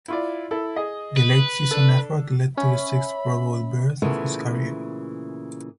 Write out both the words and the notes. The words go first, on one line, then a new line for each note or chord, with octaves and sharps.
The late season effort led to the sixth Pro-Bowl berth of his career.
E4 F4 D5
E4 A4
G#4 D#5
B4
D4 A4
C#4 E5 B5
A#2 C#3 E3 A3 B3